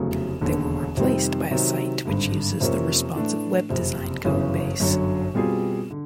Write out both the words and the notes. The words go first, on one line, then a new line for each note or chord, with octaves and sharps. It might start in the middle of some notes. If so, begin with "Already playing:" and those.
They were replaced by a site which uses the Responsive Web Design codebase.
Already playing: F1 E2 C#3 F#3 A3
E1 D#2 D3
F2 C3 D#3 G3 C4
C3 D#3 F#3
G#1 G2 D3
F2 C3 F3 A#3 C#4
A2 E3 A3 D4
F#1 F2 C3
G1 F#2 C#3 E3
G1 F#2 D3 F#3
B2 G3 C4 F4 G#4
D3